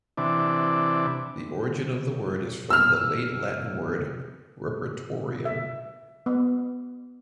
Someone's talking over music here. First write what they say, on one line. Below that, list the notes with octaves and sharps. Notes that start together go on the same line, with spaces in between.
The origin of the word is from the Late Latin word "repertorium".
C3 E3 D4
E6 F6
E5
B3